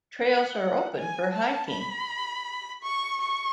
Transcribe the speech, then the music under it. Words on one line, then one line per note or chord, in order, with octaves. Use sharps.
Trails are open for hiking.
F#5
G#5
A5
B5
C#6
C#6